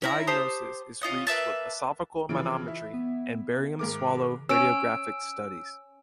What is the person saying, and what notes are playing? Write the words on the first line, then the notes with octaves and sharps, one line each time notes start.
Diagnosis is reached with esophageal manometry and barium swallow radiographic studies.
C#4 E4 A#5
G4 C5 A5 D#6
C#4 F4 D#5 F#5
A#3 B4 E5 A5
C#3 E3 F3 D7
E4
B3
G#2 D#3 A#4 D6
C#4 E6 D7